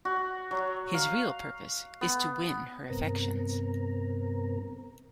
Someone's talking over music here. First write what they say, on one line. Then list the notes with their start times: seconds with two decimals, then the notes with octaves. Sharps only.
His real purpose is to win her affections.
0.05 F#4
0.51 F#3
0.94 F5
2.01 B3
2.90 G2 C3 B3 C4 A#4 A#5